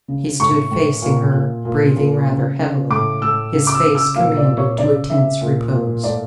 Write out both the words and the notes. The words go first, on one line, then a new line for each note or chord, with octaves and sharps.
He stood facing her, breathing rather heavily, his face commanded to a tense repose.
C#3
A2 C#6
A2
A#2
A#2
A#2
A#2
C#3
C#3
A2 D6
A2 E6
C#3
D6
E6
C#3
E6
A#2 F5
D5
A#2
C#5
C#3 D5
C#3 E5
A#2
A#2
A2 D5